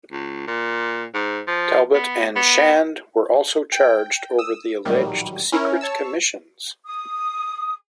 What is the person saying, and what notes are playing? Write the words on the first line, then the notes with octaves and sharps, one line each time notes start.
Talbot and Shand were also charged over the alleged secret commissions.
C#2
A#2
G#2
F3
B3
B3
G5
D#6 E6
A#1 A2 D#3 F#3 G3
C#4 E4 A#4 C#5
C#5 A5 E6
D#6